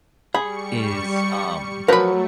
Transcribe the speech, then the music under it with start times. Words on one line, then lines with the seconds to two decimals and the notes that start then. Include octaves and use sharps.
is, um,
0.34 G3 G#4 B5 C#6 C#7
1.88 F3 F#3 A3 A#4 B4 B5